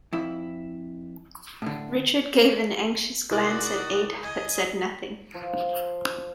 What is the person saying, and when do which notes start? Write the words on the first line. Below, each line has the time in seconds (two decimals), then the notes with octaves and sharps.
Richard gave an anxious glance at Ada but said nothing.
0.13 F2 E4
1.62 A2 D3
3.31 C2 D#4 E4 F#4 A#4 D5 D#6
4.23 C#2 D#5 G#5
5.34 F3